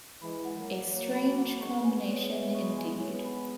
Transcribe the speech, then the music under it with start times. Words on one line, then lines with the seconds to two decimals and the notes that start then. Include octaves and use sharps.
A strange combination indeed.
0.22 E3 G#3 B5
0.45 F#5
0.56 F#3 A#3
0.69 A#4
0.91 F#3 A#3 C#5
1.15 B5
1.38 F#5
1.61 G#3 B3 C#6
1.84 G#5
2.08 C#5
2.32 E5
2.54 C#6
2.78 G#5
3.00 G#3 B3 C#5
3.24 B5